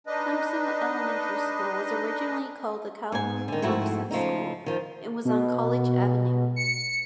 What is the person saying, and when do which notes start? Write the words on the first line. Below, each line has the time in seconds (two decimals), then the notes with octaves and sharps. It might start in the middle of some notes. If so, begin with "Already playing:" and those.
Clemson Elementary School was originally called the Calhoun-Clemson School and was on College Avenue.
0.07 D4 D#4 B4 D#5
3.12 G#2 G#5
3.48 D3 D#3
3.62 F2 G#2 A3 E4 F#4
4.11 C#3 F3 A3 D#4
4.66 D#3 F3
5.25 B2
6.56 C#7